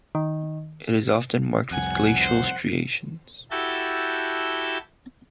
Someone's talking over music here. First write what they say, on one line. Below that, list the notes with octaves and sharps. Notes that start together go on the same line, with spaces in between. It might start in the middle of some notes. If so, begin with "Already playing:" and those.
It is often marked with glacial striations.
D#3
C2 F2 F#5 G#5
C5
E4 F#4 G4 A4 A5 G6